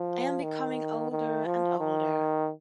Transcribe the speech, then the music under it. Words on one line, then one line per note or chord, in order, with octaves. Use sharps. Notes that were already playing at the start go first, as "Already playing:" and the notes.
I am becoming older and older.
Already playing: F3
D#3
D#3
F3
D#3